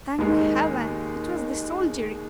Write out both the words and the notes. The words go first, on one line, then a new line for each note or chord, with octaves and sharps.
Thank Heaven! it was the soldiery.
D#2 D#3 G#3 D#4